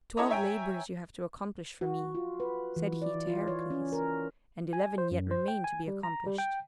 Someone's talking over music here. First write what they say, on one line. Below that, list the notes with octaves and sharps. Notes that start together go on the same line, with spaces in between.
"Twelve labors you have to accomplish for me," said he to Heracles, "and eleven yet remain to be accomplished."
C#4 E4 A4 C#5 D#5 A#5
C#5 E5 G5 G#5 A#5
F#4
F4
B4
E3
D5
F4
C#5
C#4
A#4
G#5
C5
F#2
C5
G5
G#5
G3
A#5
G3
G5